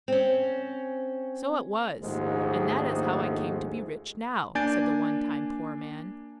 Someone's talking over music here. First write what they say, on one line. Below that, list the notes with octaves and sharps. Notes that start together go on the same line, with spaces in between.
"So it was, and that is how I came to be rich now," said the one-time poor man.
C4 C#4
A#1 D#2 G#2 G#3 A3 C5
A#3 D4 G#5 G6 A6 D7